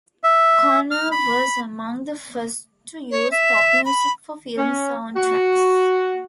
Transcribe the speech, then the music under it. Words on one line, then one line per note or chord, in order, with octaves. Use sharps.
Conner was among the first to use pop music for film sound tracks.
E5
F6
B5
C#5
E5
B5
C#4
F#4